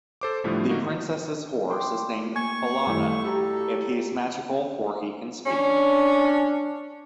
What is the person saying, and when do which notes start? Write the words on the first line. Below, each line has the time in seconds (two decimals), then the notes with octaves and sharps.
The princess's horse is named Falada, and he is magical for he can speak.
0.21 A4 C5 D6
0.44 A2 D3 F3 G3 A3
0.69 A3 A#3 D#4 F#4
1.70 G5 C6 D6
2.36 A#3 G#5 C#6 G#6
2.87 F#2 D#3 G3 A3 E4
3.25 F#4 G4 A4 A#5
5.46 C#4 D4